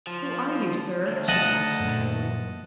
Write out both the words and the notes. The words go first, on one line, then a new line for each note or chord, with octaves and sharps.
"Who are you, sir?" she asked, trembling.
F3
D2
D#5 F#5 A5
F#2 A#2